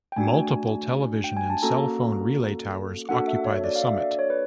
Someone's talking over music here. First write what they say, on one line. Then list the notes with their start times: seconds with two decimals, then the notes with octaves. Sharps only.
Multiple television and cell phone relay towers occupy the summit.
0.12 G5
0.16 A3 D4 F#4 G#5
1.24 G5
1.37 G#5
1.50 A5
1.63 A#3 C#4 F#4 A4 A#5
3.09 A#3 D4 F#4 A4 F#5
3.28 E5
3.45 C#5
3.64 D5
3.76 F5
3.82 E5
4.00 D5
4.19 C#5
4.30 B4